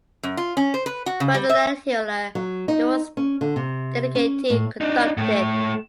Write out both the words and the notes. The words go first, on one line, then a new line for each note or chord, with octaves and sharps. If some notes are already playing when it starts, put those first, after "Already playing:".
Ferdinand Hiller, the work's dedicatee, conducted.
F#2
F4
C#4
C5
B4
F#4
C#3
G3
E5
F#3
D#4
C#4
D3
C3
C#4
A2
D4 D#4
A2 A3